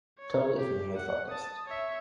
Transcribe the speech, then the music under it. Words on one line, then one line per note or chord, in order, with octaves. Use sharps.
Totally family focused.
C#5
G4
F#5
A5 D#6
C#5 E5